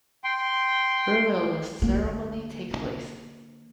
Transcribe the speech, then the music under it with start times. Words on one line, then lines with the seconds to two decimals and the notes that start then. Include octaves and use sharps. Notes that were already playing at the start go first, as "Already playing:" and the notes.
Where will the ceremony take place?
0.24 G5 C6
1.82 D3 A#3